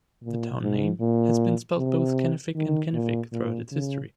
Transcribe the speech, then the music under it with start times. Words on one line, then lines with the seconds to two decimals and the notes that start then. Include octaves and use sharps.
The town name has been spelled both Kenefic and Kenefick throughout its history.
0.23 A#2
0.62 G#2
1.00 A#2
1.78 C3
2.55 D#3
2.94 A#2
3.32 A#2
3.71 C#3